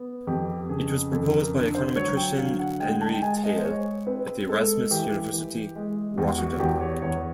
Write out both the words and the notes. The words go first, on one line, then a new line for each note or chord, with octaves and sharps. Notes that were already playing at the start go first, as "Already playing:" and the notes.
It was proposed by econometrician Henri Theil at the Erasmus University Rotterdam.
Already playing: B3
F2 G4
C#3 G#4
F2 A4
A#4
D3
C5
F#3 C#5
G5
D3 F5
F#5
G#3 G5
A5
G5
G#3 G#5
D#5
C5
G#3 C#5
C4 B4
G#3 A4
E3 G4
E3
G#3
E2 G4
F#4
E2 G4
C#5
E2 C#5